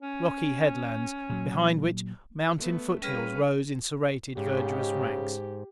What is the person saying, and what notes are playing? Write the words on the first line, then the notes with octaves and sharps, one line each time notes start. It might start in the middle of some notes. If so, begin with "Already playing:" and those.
Rocky headlines, behind which mountain foothills rose in serrated, verdurous ranks.
C#4
A#2 F#3
A3 B3
G3 C#4 G#4 B4 F5 F6 B6 D#7
G#2 C#3 G4